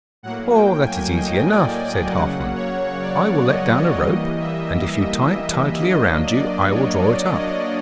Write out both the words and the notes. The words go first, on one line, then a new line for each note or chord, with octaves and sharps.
'Oh, that is easy enough,' said Halfman. 'I will let down a rope, and if you tie it tightly round you, I will draw it up.'
A2 F#3 A#3 F#5
G5
G#5
D#5
D5
D5
C#3 F#3 A#3 F#5
C#5
D5
D#5
E3 G3 A#3 D#5
E5
D#5
F#3 A#3 D4 D#5
D5
C#5
D5
D#5